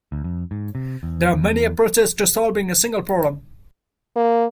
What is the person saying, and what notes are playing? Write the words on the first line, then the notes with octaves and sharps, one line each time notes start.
There are many approaches to solving a single problem.
D2
F2
G#2
C3
E2
E2
A#3